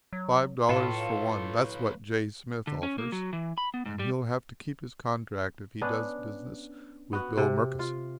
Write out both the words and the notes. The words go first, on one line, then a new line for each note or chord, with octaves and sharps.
Five dollars for one--that's what J. Smith offers, and he'll have to keep his contract if he does business with Bill Murkison.'
F#3
A2 F4 A4 B4 C#5 F5
D3
C#4
A#3
F#3
E3
B5
B3
G#2
G3
B3 C#4 D4
B3 F#4
C3
F4